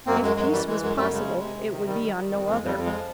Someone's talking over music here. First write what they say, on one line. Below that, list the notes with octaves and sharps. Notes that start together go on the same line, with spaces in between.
If peace was possible, it would be on no other.
F#2 A#3 C4
F#2 G#3
F#2 G#3
E3 G3
E3 G#3
F#2 G#3
F#2 G3 A3
C#3 G#3
C3
C3
C3
D#3
D#3 G3
D#3
D#3
F2
F2 G#3
F2 G3
F2
G#3
F3